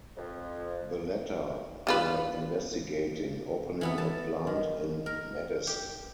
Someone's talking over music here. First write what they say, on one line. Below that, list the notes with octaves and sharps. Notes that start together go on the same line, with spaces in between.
The latter were investigating opening a plant in Madison.
F2
G3 F4 B4
E3 B3 A4
A5
D#3
A#4
G4